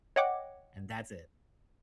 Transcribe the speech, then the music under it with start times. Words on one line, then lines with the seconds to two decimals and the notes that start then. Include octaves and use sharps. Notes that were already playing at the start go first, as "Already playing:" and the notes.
and that's it.
0.16 C#5 D#5 F#5 G5 D6